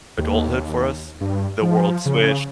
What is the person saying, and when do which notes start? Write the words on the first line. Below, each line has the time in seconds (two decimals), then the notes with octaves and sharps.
adulthood for us, eh, the world switched.
0.18 D#2
1.21 G2
1.62 F3
2.06 C#3